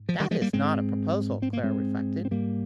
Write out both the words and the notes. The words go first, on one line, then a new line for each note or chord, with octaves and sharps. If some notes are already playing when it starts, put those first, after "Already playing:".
"That is not a proposal," Clara reflected.
Already playing: G#2
F3
D#3 G3
F3 G#3
G3 A#3
G#2 G#3 C4
C4
A#3
G#3 C4
C4
G#2 G3 A#3